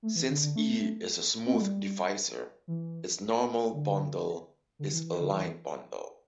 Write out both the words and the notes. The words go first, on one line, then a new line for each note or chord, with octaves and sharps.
Since "E" is a smooth divisor, its normal bundle is a line bundle.
A3
E3
D3
D3
A3
C4
A3
G3
E3
D3
D3
E3
E3
D3
E3